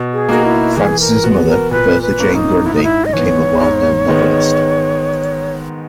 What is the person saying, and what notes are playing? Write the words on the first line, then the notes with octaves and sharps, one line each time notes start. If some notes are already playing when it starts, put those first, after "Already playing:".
Francis' mother, Bertha Jane Grundy, became a well-known novelist.
Already playing: B2
G#4
A#3 D#4 F#4 A#4
E4
E3 G#4
A#4
B3 F#4
A#4
A#2 B4
B4
A#3 C#4
D#4
G#2 E4
D#4
E4
D#5
E3 B3 C#5
G#2
D#3 G#3 B3